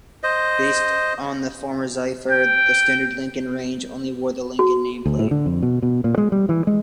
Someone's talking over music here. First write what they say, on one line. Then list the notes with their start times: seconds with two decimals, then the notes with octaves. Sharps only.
Based on the former Zephyr, the standard Lincoln range only wore the Lincoln nameplate.
0.23 C5 D#5
2.31 G5
4.59 F#4
5.06 D2
5.19 A2
5.31 D3
5.46 F2
5.62 B2
5.82 B2
6.04 A#2
6.18 G#3
6.32 G3
6.49 E3
6.67 G#3